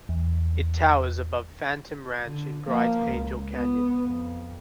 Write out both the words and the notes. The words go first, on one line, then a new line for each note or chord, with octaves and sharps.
It towers above Phantom Ranch in Bright Angel Canyon.
E2
D3
F3 A#3
C#2
B3
F2